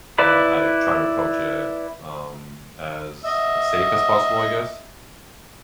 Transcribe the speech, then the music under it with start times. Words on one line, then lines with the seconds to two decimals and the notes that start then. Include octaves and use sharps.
uh, I've tried to approach it, um, as safe as possible, I guess.
0.18 E4 B4 D5 B5
3.25 D#5 E5